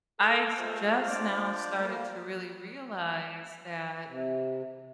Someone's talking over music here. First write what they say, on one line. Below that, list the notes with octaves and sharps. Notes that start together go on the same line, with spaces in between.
I s just now started to really realize that
A4
G#3 A3 F4 C5 F5
D4 F4 C5 D5
G3 A3 A#3
C3